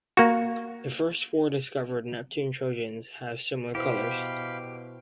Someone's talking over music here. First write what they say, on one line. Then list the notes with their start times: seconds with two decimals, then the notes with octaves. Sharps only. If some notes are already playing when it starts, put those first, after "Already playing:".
The first four discovered Neptune trojans have similar colors.
0.17 A#3 F#4
3.75 B2 E4 G4 B4 C5 F5 B5 G6